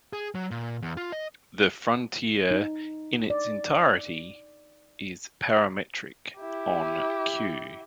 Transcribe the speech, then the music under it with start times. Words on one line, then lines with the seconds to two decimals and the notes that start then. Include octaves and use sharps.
The frontier in its entirety is parametric on "q".
0.13 G#4
0.35 F#3
0.51 A#2
0.82 E2
0.97 F4
1.12 D#5
2.51 D#4
3.30 D5
6.38 E4 G4